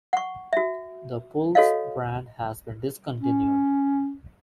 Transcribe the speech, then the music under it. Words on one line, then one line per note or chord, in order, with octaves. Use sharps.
The Puls brand has been discontinued.
F#5 C#6
F#4 E5
F#4 A4 C#5 D#5 F5
C#4